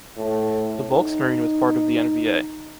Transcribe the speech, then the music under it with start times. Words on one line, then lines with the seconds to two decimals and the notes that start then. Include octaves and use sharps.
The Volksmarine was part of the N-V-A.
0.17 A2
0.91 D#4